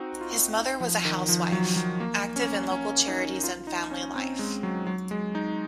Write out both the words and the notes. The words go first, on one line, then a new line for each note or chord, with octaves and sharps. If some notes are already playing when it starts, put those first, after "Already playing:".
His mother was a housewife, active in local charities and family life.
Already playing: C4 D#4 F#4
F4
D#4
F3
D#3
F3
F#3
F#3
A#3
C#4
C#4
D#4
F4
D#4
C#4
C4
G#3
F#3
F#3
G#3
D#4